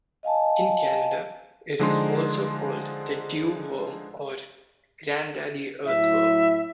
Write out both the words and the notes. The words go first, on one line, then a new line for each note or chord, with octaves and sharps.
In Canada, it is also called the dew worm, or "Grandaddy Earthworm".
D#5 F5 G#5 A5
D3 F3 G#3 D4 D#4 C6
A2 F#3 E4 E5